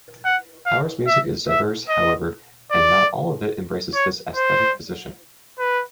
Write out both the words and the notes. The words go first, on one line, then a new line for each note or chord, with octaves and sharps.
Hauer's music is diverse, however, and not all of it embraces this aesthetic position.
F#5
F5
E5
E5
D#5
D5
C#5
C5
B4